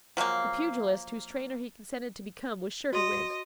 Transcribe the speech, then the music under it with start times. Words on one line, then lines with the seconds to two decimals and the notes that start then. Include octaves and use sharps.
The pugilist whose trainer he consented to become was sure to win.
0.17 F3 F#3 G#3 A#3
2.93 F#4 D#5 C6